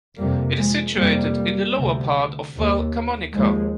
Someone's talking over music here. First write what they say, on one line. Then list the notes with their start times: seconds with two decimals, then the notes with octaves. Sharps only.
It is situated in the lower part of Val Camonica.
0.17 F2 C3 G3 A#3
0.57 F3 G#3
0.96 F2 C3 G3 A#3
1.75 D2 C3
2.55 D#2
3.34 D#2 F3 G#3